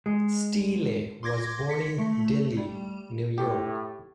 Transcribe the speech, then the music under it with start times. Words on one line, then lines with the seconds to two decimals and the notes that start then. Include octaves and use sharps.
Steele was born in Delhi, New York.
0.06 G#3
1.23 C6 D6 G#6 A#6
1.69 B6 C#7
1.98 A3
2.57 G3
3.38 A2 G4